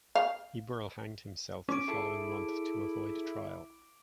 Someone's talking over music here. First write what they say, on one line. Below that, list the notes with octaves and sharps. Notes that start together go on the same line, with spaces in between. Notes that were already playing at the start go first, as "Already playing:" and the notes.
Eberl hanged himself the following month to avoid trial.
F5
C#4 D6 D7
E4 G#4 A4 A5